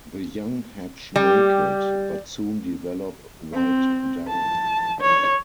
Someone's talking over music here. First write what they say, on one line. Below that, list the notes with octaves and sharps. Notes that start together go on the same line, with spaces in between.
The young hatch naked, but soon develop white down.
G3 G4
C4
A5
C#5